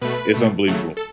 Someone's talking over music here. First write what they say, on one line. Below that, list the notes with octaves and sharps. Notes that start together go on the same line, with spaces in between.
it's unbelievable,
B2 A3 B4
B2 A3
C#3 F#3 A3
A4